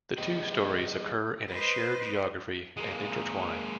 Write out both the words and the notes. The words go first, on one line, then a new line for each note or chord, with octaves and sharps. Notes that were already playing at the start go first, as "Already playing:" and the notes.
The two stories occur in a shared geography and intertwine.
G4 G#4 B4 D#5 G5
B4 C5 D#5
G#3 A#3